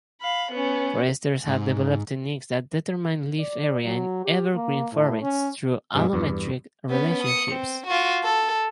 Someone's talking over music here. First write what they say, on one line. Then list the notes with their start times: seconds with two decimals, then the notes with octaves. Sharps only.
Foresters have developed techniques that determine leaf area in evergreen forests through allometric relationships.
0.21 F5 B5
0.51 B3 C#4
1.47 G#2
3.39 D5
3.85 F#3
4.25 G4
4.55 A#3
4.93 A2
5.22 C#4
5.95 G2 B2 G#3
6.13 E2 G2
6.90 B3 C#4
7.23 D#6 C#7
7.52 C4
7.87 F4 F#4
8.24 A4